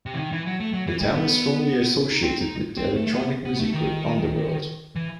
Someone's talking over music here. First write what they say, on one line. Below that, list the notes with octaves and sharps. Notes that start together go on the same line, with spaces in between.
The town is strongly associated with the electronic music group Underworld.
C3
E3
D#3
E3
F#3
A3
F#3
E3
G3
B3
D#4
C4
D#4
C4
A3
A3
B3
B3
A3
D#3
E3